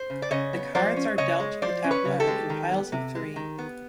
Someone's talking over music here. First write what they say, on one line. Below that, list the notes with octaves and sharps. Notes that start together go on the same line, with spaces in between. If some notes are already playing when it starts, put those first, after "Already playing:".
The cards are dealt to the tableau in piles of three.
Already playing: C5
C#3
D5
C#3 C#5 D#5
B3
F3 C5 D5
C#4
C#3 C#5 D#5
G#3
F3 C5 D5
C#4
B4 C#5
C#3
G4 A4
G#3
D#3
B3
C3
G#3
D#3
B3